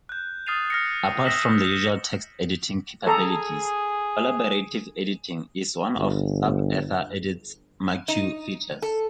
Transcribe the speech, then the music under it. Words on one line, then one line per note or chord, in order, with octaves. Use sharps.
Apart from the usual text-editing capabilities, collaborative editing is one of SubEthaEdit's marquee features.
F#6 G6
D#6 F6 A6 C7 D#7 F7
F6 A#6 C#7
D#6 E6 A#6 B6 E7 F#7
G#4 A4 A#5
G1
D#4
A4